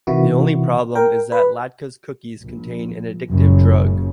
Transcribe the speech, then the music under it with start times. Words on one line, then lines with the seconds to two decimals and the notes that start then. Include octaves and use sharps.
The only problem is that Latka's cookies contain an addictive drug.
0.07 C3 D#3 E3 E4 F#4
0.95 A#4 G5
1.32 B4
2.41 A#1
3.28 F#1 F#2 A#2 C#3